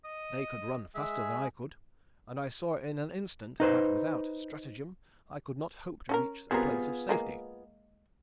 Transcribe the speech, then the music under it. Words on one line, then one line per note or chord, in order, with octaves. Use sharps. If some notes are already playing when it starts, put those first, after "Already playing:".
They could run faster than I could, and I saw in an instant that without stratagem I could not hope to reach a place of safety.
D#5
G#3 G#4 E5
D#4 B4 C5
C#4 A4 A#4
G3 B3 C4 F4 G#4 A#4
G#3 A#3 G#5